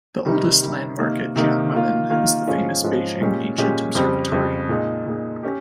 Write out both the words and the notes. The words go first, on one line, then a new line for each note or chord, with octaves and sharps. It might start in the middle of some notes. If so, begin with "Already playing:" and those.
The oldest landmark at Jianguomen is the famous Beijing Ancient Observatory.
C3 D#3 G3
C3 D#3 G3
C3 D#3 A#3 D#4
C3 D#3 A#3 D#4
D#3 A#3 F4
D#3 A#3 F4
G#2 F3 G#3 C#4 F4
G#2 F3 G#3 C#4 F4
A#2 G#3 C#4 G4
A#2 G#3 C#4 G4
F2 C#3 G3 C4
F2 C#3 G3 C4
A#2 G#3 D#4
A#2 G#3 D#4
C#4 G4